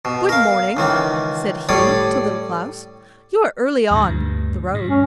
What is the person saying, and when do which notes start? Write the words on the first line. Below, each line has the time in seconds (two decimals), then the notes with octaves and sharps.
'Good morning!' said he to Little Klaus. 'You are early on the road.'
0.05 B2
0.29 A#4 F5
0.77 C#2 D#3 E3
1.69 A2 G3 C#5 D5 D#6
3.91 D2 G2
4.74 G2
4.89 C#4